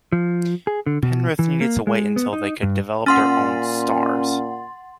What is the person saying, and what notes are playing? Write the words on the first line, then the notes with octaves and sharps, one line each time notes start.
Penrith needed to wait until they could develop their own 'stars'.
F3
G#4
D3
B2
E3
A#3
G#3
B3
D#4
G2
A#2 C#4 F#5 C6 A6